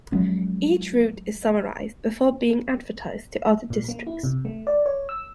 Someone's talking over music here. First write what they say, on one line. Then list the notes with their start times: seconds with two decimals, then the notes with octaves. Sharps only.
Each route is summarized before being advertised to other districts.
0.12 F3 F#3 G#3 C#4
3.70 A#2
3.89 A#3
4.07 E4
4.23 C3
4.45 A3
4.67 D5
4.86 C#5
5.09 E6